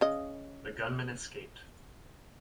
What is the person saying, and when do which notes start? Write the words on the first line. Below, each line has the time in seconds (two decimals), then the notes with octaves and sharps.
The gunmen escaped.
0.01 C#3 D#5